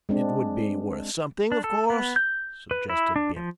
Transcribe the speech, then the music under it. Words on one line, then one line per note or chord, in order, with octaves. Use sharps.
"It would be worth something of course," suggested Bince.
G#3 C4 D4
D4
A4
B3
G6
B4
E4
D4
F3